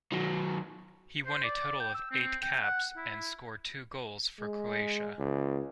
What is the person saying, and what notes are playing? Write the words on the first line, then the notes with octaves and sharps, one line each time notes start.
He won a total of eight caps and scored two goals for Croatia.
D#3 F#3
C5
D5
G5
E6
C4
G5
F#5
E4
G#3
C#2